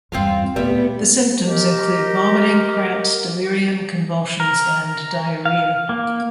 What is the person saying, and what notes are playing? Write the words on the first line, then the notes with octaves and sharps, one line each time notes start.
The symptoms include vomiting, cramps, delirium, convulsions, and diarrhea.
E2 G2 C4 F4 F5
D2 A#2 G3 B3 E5
G4 A#4 D#5
A#4
F5
A#3